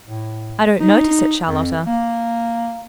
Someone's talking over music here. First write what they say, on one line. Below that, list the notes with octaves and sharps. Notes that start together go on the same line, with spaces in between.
"I don't notice it, Charlotta."
A2
D#4
F2
A#3